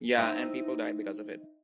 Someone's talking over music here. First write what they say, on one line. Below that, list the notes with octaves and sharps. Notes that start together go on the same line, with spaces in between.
Ya and people died because of it.
C4 D#4 E4